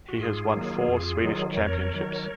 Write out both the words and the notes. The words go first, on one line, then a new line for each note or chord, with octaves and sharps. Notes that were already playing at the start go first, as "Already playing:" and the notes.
He has won four Swedish Championships.
F#4
G#2 F4 G#4
D#3 F#3 A#3
F2
D#3 F#3
F2 A#4 C#5
D#3 F#3